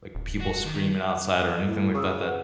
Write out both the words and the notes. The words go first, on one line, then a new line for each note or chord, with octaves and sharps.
like, people screaming outside or anything like that that
D#1
F#4
D#3
A2
C#3 C#6 D#6 E6
B4 F#5